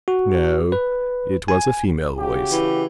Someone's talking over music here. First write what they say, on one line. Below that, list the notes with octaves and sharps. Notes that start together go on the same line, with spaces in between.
No, it was a female voice.
F#4
B4
G#5
C#3 F#4 G4
E3